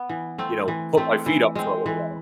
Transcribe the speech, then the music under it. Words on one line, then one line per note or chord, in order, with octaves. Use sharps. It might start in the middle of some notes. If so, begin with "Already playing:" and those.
you know, put my feet up for a little while.
Already playing: B3
E3
A3 C4
E3
A3 C4
E3
G#3 C4
E3